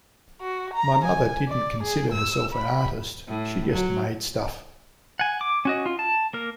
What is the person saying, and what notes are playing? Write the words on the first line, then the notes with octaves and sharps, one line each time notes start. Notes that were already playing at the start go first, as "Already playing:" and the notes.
My mother didn't consider herself an artist, she just made stuff.
F#4
A#5
G#5
D5
G#4
E6
B5
A2
F#3
F#5 G#5
D6
C#4 F#4 D#5
F4
A5
A#3 A#4